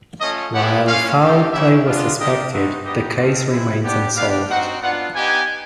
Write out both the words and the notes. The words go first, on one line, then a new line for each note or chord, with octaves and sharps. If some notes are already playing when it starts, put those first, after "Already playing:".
While foul play was suspected, the case remains unsolved.
A3 C#4 F4 D#5
G#3 B3 E4 G4 F#5
G#3 C#4 F4 F5
A3 C4 D#4 G4
A#3 C#4 E4 G4 E5
G#3 B3 D4 F4
A#3 D4 G4 D#5
G#3 B3 D#4 F#4 E5
G3 B3 D#4 G4 D#5
A3 C4 F4
G#3 C4 E4
B3 D4 G4
B3 D4 G4 F5
C4 D#4 F#4 F#5
B3 D4 F4 F#5
B3 D#4 G4 G#5